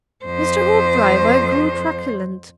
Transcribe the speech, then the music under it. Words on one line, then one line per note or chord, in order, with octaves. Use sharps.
Mr. Hoopdriver grew truculent.
F2 C5